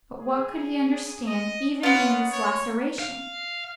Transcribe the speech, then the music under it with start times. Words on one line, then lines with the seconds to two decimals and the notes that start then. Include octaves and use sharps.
But what could he understand even in this "laceration"?
0.20 G#4
1.27 D#5
1.83 B3 C#4 F4 F#5
2.32 C#5
3.00 F5